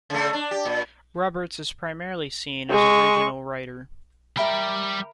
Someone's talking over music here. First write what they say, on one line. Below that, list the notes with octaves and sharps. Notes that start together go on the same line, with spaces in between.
Roberts is primarily seen as a regional writer.
C#3 A3
D4
G4
A#2
G#3 C#6
G3 A#4 E5 G5 B5